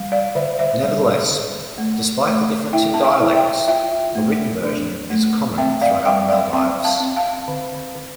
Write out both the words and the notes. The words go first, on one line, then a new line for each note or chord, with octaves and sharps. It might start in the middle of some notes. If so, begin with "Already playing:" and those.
Nevertheless, despite the difference in dialects, the written version is common throughout the Maldives.
Already playing: G3
D5 F5
D3 C5 E5
C5 E5
G3
D3
A3
A3
E4 E5 G5
A5
E5 G5
E4
E5 G5
F4 E5 G5
A3
D4
A3
C4 E5 G5
D5 F5
G3 E5 G5
D5 F5
C4 E5 G5
F5 A5
C4
F5 A5
D3
D3